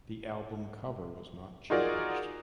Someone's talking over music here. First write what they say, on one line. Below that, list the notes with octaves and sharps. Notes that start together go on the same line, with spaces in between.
The album cover was not changed.
D#4 F4 F#4 G#4 A#4 D5